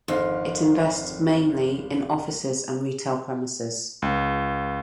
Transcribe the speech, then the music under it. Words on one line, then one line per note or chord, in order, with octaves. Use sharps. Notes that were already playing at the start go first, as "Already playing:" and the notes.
It invests mainly in offices and retail premises.
G#1 F2 D3 F5
C#2